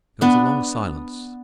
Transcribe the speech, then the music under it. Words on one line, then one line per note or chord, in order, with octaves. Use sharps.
There was a long silence.
B3 D4